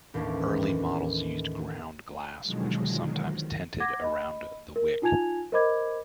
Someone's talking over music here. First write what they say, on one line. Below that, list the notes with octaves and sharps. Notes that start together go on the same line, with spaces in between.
Early models used ground glass which was sometimes tinted around the wick.
A1 D#2 A3 C#4 D4
B2 D3 D#3 F3 F#3 G#3
D#3
F#5 D6 G#6 A#6
D#5 B5
A#4
D#4 F4 G#5 A5 G#6 F7
A#4 C5 D#5 B5 D6 G#6